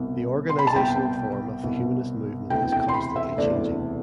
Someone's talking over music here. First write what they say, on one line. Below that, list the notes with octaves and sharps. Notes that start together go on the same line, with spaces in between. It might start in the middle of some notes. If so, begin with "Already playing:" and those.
The organizational form of the Humanist Movement is constantly changing.
Already playing: C2 B2
C6
B5
A5
C2 B2 G5
C2 B2
E1 D2 C3 E3 G5
G5
C6
B5
E5
E1 D2 C3 E3 D5